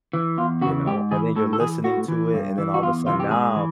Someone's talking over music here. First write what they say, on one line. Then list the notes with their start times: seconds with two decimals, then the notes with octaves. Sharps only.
you know, and then you're listening to it, and then all of a sudden now
0.13 E3
0.37 E2 F4
0.61 C#3 F#4
0.66 E3
0.87 G#2 G4
1.11 E3 G#4
1.36 A2 A4
1.53 A4
1.60 E3 G#4
1.84 A2 F#4
2.08 E3
2.34 G2
2.58 E3
2.74 F#4
2.82 E2 F4
3.06 C3 E3 F4
3.20 G4
3.31 G#2 G#4
3.56 E3